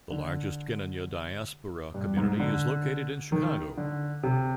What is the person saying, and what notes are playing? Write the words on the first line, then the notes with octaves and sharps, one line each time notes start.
The largest Knanaya diaspora community is located in Chicago.
D3
G2
G#2
D3
D#3
D3
C3